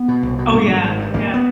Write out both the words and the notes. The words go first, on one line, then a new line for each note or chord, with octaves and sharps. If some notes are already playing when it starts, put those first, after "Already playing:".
Oh yeah, yeah.
Already playing: B3
B2
C2
B2
G2
G#1
G#1
G2
G#1 A#3
B3